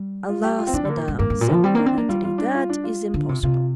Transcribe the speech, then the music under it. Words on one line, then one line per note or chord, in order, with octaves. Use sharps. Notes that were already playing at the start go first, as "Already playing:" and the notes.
"Alas, Madame!" said Lord Antony, "that is impossible."
Already playing: G3
F4
G4
F4
C4
F3 D4
D3 A#3
A#2
G2
G2 A#3
G2
A#2
F3
G3 C4
A#3 D4
C4
A#3 D4
G3 F4
F4
D4
F4
D4
F4
D3
C3
C3 F4